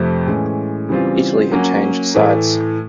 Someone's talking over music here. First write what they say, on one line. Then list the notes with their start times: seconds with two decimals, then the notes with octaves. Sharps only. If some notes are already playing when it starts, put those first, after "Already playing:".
Italy had changed sides.
Already playing: F2 C3 F3 A3 C4
0.26 A2 E3 G#3 C#4
0.89 C#3 E3 G3 C4 F4
1.52 F#3 A#3 C#4
2.15 A2 E3 A3